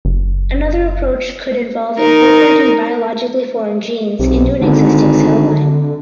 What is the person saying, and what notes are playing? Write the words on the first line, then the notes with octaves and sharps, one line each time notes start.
Another approach could involve incorporating biologically foreign genes into an existing cell line.
F#1
D#4 A#4
B1 C3
G#1 D3